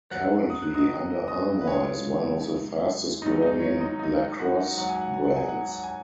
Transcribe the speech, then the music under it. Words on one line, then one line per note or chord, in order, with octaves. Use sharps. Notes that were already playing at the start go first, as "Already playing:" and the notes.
Currently Under Armour is one of the fastest growing lacrosse brands.
F#2 F#3 F#5 F#6
D#6
F#6
D#5 D#6
D#5 D#6
D#5 D#6
B4
F#2 C#3 G#3 C#5
G#2 D#3 F#3 D#4 D#5
D#4 D#5
C#5
D#4 D#5
D#4 D#5
F#4 F#5
G#2 F#3 F#5
G#5
F#5
G#5
F#5
G#5
F#5
G#5
F#5
G#5